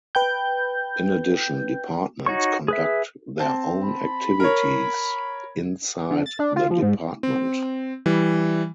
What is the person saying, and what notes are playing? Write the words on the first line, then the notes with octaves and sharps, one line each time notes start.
In addition, departments conduct their own activities inside the department.
B4 G5 G6
D#4 F#4 C#5 C#6
G#4 B4 E5
C4 A5
B5
A#4 C#5
D3
A6
D4
F4
F3
G#2
C4
E3 G3